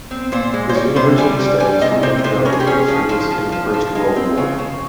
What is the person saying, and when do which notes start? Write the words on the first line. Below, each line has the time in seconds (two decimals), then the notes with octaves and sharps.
His university studies were interrupted by service in the First World War.
0.11 C4
0.32 A#2 C5
0.54 G#3
0.69 C5
0.75 G3 C#5
0.96 C3 C5
1.18 G3 G#5
1.39 G3
1.60 G3 G#5
1.81 C3 D#5
2.03 C3 C5
2.24 C3 C5
2.45 C#4 A#4
2.53 G#4
2.60 G4
2.67 C#4 G#4
2.88 F3
3.09 F3
3.30 F3
3.52 F3
3.74 F3
3.95 G#3
4.16 C4
4.38 C#3
4.58 C#3